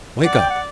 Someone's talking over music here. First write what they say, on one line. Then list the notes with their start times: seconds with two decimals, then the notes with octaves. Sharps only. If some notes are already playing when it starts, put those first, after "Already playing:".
Wake up!
0.25 D5 F#5
0.38 G5
0.50 F#5